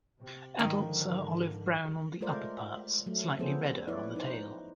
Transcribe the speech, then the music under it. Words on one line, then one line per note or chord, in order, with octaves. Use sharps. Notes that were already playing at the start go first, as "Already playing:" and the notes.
Adults are olive-brown on the upperparts, slightly redder on the tail.
C3
G#2 D3 D#3 F3
G#3 A3 F4 A#4 C5 D5
F#3 A3
F3 B3 C#4 G#4 A4 C5
E4 B4 C#5 D5
D#4 C5